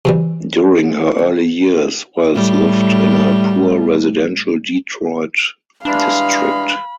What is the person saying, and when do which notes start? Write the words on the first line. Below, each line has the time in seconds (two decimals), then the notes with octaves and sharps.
During her early years, Wells lived in a poor residential Detroit district.
0.05 C3 E3 G3
2.34 A2 G3
5.85 E3 G3 G#3 D4 F5 B5